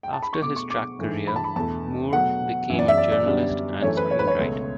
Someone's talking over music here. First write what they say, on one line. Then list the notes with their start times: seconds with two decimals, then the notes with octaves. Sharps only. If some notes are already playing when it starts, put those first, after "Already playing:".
After his track career, Moore became a journalist and screenwriter.
0.03 G5
0.13 A5
0.22 B5
0.33 C#6
0.42 B2 A3 D6
0.56 C#6
0.70 D6
0.99 G2 E3 A3
1.27 B5
1.36 A5
1.44 B5
1.56 E2 B2 A3 A5
2.12 B2 F#3 A3 F#5
2.70 F#2 E3 B3
2.79 D5
2.88 E5
2.97 D5
3.12 D5
3.26 F#2 D3 G3 B3
3.82 F#2 E3 A3 C#5
3.97 B4
4.11 C#5
4.19 B4
4.28 C#5
4.39 C#2 B2 A3